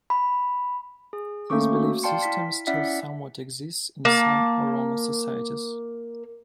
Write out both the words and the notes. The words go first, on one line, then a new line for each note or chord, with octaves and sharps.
This belief system still somewhat exists in some Oromo societies.
B5
G#4
A3 A#3 C#4 A4 C#6 D6
F#4
D5 F5 G5 A5 C6 C#7
E4 B6
C#4 E4 D5 E5 F#5 B6
A#3 A5